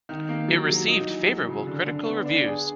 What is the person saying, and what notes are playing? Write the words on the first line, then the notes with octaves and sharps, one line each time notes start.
It received favorable critical reviews.
D#3
A#3
F#3
F#3
D#4
E3
F#3
C#3
D3
D3
B3
D4
G#4